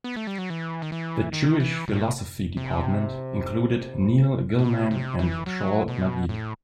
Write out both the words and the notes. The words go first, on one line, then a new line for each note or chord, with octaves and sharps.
The Jewish Philosophy department included Neil Gillman and Shaul Magid.
B3
A3
G3
F#3
E3
D#3
E3
D#3
E3
A2
C3
A2
B2
C3
E3
F#3
B2
A2